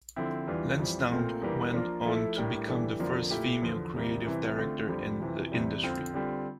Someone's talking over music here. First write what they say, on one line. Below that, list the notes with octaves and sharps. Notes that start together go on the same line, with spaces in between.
Lansdowne went on to become the first female creative director in the industry.
D3 F3 C4 E4
E2 E3 G3 D4 F4
F2 E3 G3
A#2 A3 C4 F4 A#4
E2 E3 G3 A#3 D4
F3 A#3 D4 F4 A#4
F3 A3 E4 A4
A2 G3 D4 G4 A#4
E3 G3 D4 A4
F2 D3 F3 A#3 D4
A#2 A3 E4 G4
E2 D3 F3
E2 C3 G3 A#3
C3 E3 G3
D3 A3 C4 F4
F2 D3 G3
F2 C3 E3
E2 C3 G3
F2 D3 F3 C4 F4
D3 G3 C4 F4